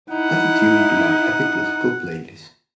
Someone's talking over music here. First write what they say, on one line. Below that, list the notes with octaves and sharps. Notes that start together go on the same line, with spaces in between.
Add the tune to my Epic Classical playlist.
D#4 E4 F#5